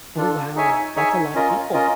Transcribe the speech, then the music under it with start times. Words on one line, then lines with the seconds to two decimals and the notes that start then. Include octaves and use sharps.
Oh, wow, that's a lotta people.
0.17 D4 F4 A4
0.55 D#4 G#4 C#5 E5 G#5
0.95 D#4 G#4 C#5 E5 G#5
1.34 C#4 F4 A#4 D#5
1.73 C#4 F4 A#4 D#5